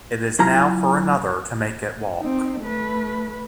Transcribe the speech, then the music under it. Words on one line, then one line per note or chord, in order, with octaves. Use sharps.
It is now for another to make it walk.
F#3 E4 F4 A#5
C4 D#4
A3 B4